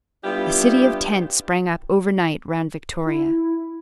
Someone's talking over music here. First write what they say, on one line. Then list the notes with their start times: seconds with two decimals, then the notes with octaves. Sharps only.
A city of tents sprang up overnight round Victoria.
0.24 G3 B3 D4 E4 F4 G4
3.06 E4